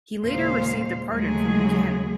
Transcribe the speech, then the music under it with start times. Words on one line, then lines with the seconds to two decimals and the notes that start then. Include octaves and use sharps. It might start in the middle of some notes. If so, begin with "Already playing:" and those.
He later received a pardon from Buchanan.
0.23 D#2 A#2 C#3 G#3 C5 F5
1.12 D#2 C#3 F#3 G#3 A3 G#4